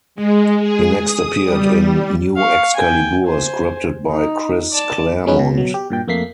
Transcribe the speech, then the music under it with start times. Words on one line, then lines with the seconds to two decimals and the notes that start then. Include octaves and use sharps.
He next appeared in "New Excalibur" scripted by Chris Claremont.
0.15 G#3
0.60 G#4
1.01 D#6
1.45 G3
2.37 F5 C#6
2.76 G5 G#5
3.26 C5 G#5
4.09 D#4
4.72 D5 A5
5.27 F#3 G#3 C#4 D#4 B4
5.39 B2
5.54 B2 F#3
5.74 G4
5.90 G2 A#2 G5
6.08 F2 A3 A#3 B6 C7